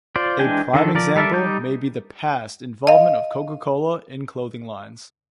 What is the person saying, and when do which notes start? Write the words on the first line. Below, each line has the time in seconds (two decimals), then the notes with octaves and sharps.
A prime example may be the past involvement of Coca-Cola in clothing lines.
0.16 F4 C5 D5
0.39 E3 G#3 D4 G5 G#5
0.74 D3 D#3 A4
0.95 F3 A#4 D5
1.16 G3 A4 A#4 D5 E5
1.32 G3 D#4 D6 G6
2.87 D#5 F5